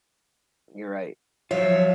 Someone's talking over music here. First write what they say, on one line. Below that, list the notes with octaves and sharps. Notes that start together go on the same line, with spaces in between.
You're right.
F3 F#3 F4 C#5 E5